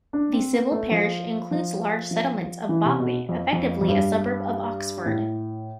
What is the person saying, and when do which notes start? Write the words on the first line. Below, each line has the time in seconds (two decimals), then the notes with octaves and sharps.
The civil parish includes the large settlement of Botley, effectively a suburb of Oxford.
0.13 D4
0.33 C4
0.53 B3
0.72 A3
0.91 F3
1.51 F3
2.11 F3
2.69 E3
2.85 C3
3.00 B2
3.29 F2
3.53 F2
3.81 F2
3.88 G2
5.06 A2